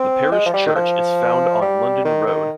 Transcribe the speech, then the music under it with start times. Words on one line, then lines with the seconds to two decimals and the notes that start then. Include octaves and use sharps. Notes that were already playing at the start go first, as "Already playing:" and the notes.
The parish church is found on London Road.
Already playing: C4
0.32 G#3
0.46 F3
0.54 G3
0.67 D#3
0.76 F3
1.61 G3
2.05 D#3
2.27 D#3